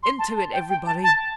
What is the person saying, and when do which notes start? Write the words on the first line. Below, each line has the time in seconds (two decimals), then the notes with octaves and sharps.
"Into it, everybody!"
0.03 C6
0.19 A5
0.36 A5
0.53 G5
0.70 G5
0.86 A5
1.03 A5